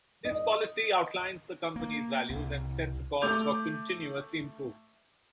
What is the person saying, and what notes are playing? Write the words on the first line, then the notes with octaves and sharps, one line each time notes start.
This policy outlines the company's values and sets a course for continuous improvement.
D#5
A#3
C2
A3 D6 G6 F7